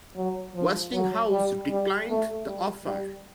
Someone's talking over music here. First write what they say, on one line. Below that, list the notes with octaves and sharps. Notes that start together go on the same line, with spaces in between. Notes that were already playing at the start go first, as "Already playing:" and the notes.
Westinghouse declined the offer.
F#3
F3
F#3
G3
G3
A3
G3
G3